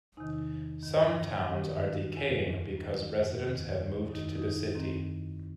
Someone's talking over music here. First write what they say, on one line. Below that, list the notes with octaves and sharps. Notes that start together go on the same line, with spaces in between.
Some towns are decaying because residents have moved to the city.
E2 C3 D#3 D#4
G2 D#3
F#2 D#3 G4
F#4
E2 D#3 E4
F#2 D#3
E2 D#3
F#2 D#3 D#4
E4
D#4
F#2 D#3 C4